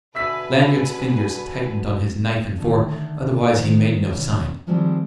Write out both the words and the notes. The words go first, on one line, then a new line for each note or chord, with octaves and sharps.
Lanyard's fingers tightened on his knife and fork; otherwise he made no sign.
B2 D3 B4 E5 G#5 E6 B6
D3 D#3 A3
D#3 C5
B2 D3 D#3 C#4
D#3 F3 G3 G#3 C4 C5